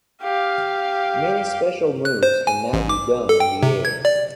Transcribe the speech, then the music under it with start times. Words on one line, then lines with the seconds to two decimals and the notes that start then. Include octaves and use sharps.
Many special moves can now be done in the air.
0.22 G4 F5
2.05 F#6
2.23 C5
2.47 G#5
2.73 A1
2.89 D6
3.29 A4
3.40 G5
3.63 C3
3.85 G#6
4.05 D5